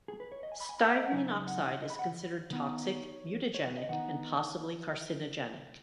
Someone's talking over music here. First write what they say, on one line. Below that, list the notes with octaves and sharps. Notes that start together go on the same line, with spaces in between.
Styrene oxide is considered toxic, mutagenic, and possibly carcinogenic.
G#4
B4
C#5
D#5
G#5
B5
G#5
B5
F#5
D#5
F#5
C#3 F#3 D#4 G#5
F#5
D#5
B5
F#5
D#3 B3 D#4
C#5
C#5
B4
D#5
D#3 B3 D#4 F#5